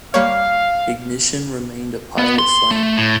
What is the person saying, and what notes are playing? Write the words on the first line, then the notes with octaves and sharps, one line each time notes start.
Ignition remained a pilot flame.
G3 A#3 C#5 F5
B3
C6
A3
A2